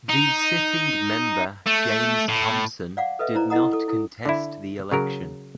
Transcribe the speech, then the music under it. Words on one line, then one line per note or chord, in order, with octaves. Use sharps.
The sitting member James Thompson did not contest the election.
D#4
A3
A2
D5 F5 F#5 D6
A4 B4 D#5 E5
D#4 E4 C5 D5 A#5
E4 A4 D#5 F#5 A#5 D#6
A4 D6
E4 A4
D3 E4
C#3 F#3 A#4